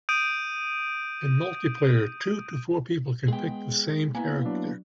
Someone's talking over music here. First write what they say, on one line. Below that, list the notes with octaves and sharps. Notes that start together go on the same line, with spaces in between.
In multiplayer, two to four people can pick the same character.
D#6 G6 D7 D#7
G#3 B3 G#4 G5
A#3 B3 E4 G#5 A#5
F#3 D4 D5